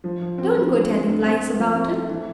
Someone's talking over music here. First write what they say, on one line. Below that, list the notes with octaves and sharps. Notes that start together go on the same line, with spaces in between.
Don't go telling lies about it.
F3
F3
C4
F3
D3
C4
G2
C4
A3
F3
C4
A3
E3